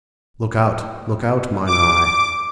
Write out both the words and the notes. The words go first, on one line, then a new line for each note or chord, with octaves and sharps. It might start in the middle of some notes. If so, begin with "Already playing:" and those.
Look out, look out, mine eye!
D6